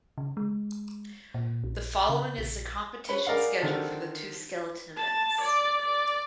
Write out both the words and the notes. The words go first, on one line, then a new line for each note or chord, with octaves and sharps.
The following is the competition schedule for the two skeleton events.
C#3
G#3
A#2
A#1
C#3
A#1
B4 C#5 B5
G#4 A#4 D5 D#5 F5 F#5
D3 D#3 C4 A4
A5
D5
D5